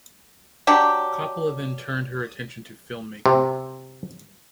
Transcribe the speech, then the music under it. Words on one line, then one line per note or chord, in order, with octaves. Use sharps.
Coppola then turned her attention to film-making.
F#3 D4 G4
C3